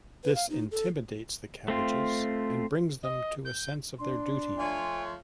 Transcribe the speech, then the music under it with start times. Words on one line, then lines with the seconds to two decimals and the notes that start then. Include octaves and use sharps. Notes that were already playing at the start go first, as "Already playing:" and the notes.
This intimidates the cabbages and brings them to a sense of their duty.
0.24 B4
0.35 F5
0.50 D#4
0.71 A4
1.68 A3 C4 F4
3.03 D#5
3.45 G6
3.99 D4 C6
4.57 F3 A3 C#5 G#5